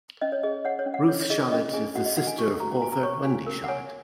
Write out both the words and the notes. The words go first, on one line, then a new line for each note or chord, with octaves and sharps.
Ruth Shalit is the sister of author Wendy Shalit.
C#4 D#5
C#5
G#4 D#5
C#5 F#5
C#5
C#4
F#5
C#5
C#5
G#4 D#5
C#4 D#5
G#4 G#5
F#4 F#5
D#5
F#4 F#5
G#5
F#4 C#6
F#4 A#5
A#5
F#4 G#5
A#5
C#5 C#6
C#6
F#4 G#5
A#4
F#5
C#5 G#5